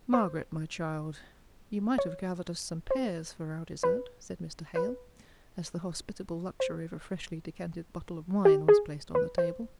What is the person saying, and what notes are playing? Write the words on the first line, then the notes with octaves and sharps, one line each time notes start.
'Margaret, my child, you might have gathered us some pears for our dessert,' said Mr. Hale, as the hospitable luxury of a freshly-decanted bottle of wine was placed on the table.
C5
C#5
C5
B4
B4
C5
G4
G#4
B4
C5